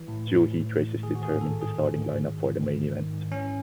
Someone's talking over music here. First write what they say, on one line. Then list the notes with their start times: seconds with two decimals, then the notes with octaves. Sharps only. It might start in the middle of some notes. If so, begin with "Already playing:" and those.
Two heat races determined the starting lineup for the main event.
Already playing: E3
0.08 A2
0.27 E3
0.46 A2
0.66 E3
0.84 A2
1.03 D#3 G#4
1.15 F#4
1.23 G#2 G#4
1.41 D#3 A4
1.61 G#2 G#4
1.79 D#3
1.99 G#2
2.17 D#3
2.37 G#2
2.56 D#3
2.75 G#2
2.94 D#3
3.13 G#2
3.32 E3 C#4